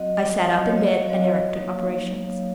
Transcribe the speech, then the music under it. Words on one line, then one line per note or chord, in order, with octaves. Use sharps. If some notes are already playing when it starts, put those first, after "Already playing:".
I sat up in bed and directed operations.
Already playing: F#3 C4 F#4 D#5 F#5
F#3 C4 F#4
F#3 C4 F#4 C#5 F5
D#5
C#5 F5
F#3 C4 F#4 C#5 F5
F#3 A#3 D#4
F#3 A#3 D#4